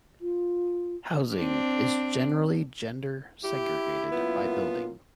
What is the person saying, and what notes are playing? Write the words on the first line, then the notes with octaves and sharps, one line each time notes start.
Housing is generally gender-segregated by building.
F4
C4 D4
E4 G4
F#2 A#3 B3 F4